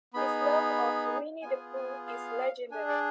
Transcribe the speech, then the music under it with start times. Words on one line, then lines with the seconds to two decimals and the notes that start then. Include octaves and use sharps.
His love of Winnie-the-Pooh is legendary.
0.14 B3 D#4 G#4 B5
1.42 B3 F4 G#4 G#5
1.76 G#5
2.07 F5
2.71 D4 G#4 G#5
2.88 D5